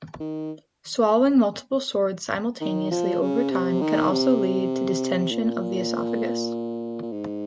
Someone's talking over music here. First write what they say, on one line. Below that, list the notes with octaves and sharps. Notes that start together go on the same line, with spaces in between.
Swallowing multiple swords simultaneously over time can also lead to distension of the esophagus.
D#3
D#3
F3
C#3
C3
D#3
C3
A#2
A#2
G#2